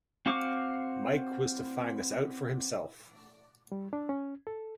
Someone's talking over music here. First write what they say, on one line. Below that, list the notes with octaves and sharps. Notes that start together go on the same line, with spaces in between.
Mike was to find this out for himself.
C4 F#4 F5 C#6 D6
G3
D4
C#4
A4